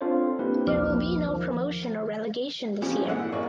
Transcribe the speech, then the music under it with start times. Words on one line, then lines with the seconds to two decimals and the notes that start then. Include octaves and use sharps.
There will be no promotion or relegation this year.
0.01 C4 D4 F4 A4 C5 C#5
0.39 A#3 C4 D4 E4 G4 B4
0.67 A#1 D#2 F3 D6 F6
1.28 D#3 F3
2.82 E3 F3 G3 A3 C4 C#4
3.05 A#1 G#2 G#3 E4 F#5
3.32 A1 A#3 D5 C#6